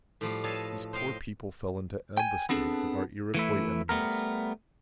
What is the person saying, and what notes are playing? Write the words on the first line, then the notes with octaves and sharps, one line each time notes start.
These poor people fell into ambuscades of our Iroquois enemies.
A2 F3 G3
A4 B4 C#5 D#5 F5 A5
C5 D#5 F5 G5
G5 G#5
B3 C4 D4 G#4 A4
E3 A3 E4
G3 A3 B3 A#4